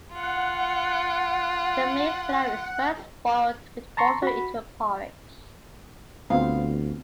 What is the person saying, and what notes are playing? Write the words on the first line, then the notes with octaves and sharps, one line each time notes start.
The maize flour is first boiled with water into a porridge.
F4 F#5
A5 A#5 C6 C#6
F#4 B5
D2 B3 C4 F4 F5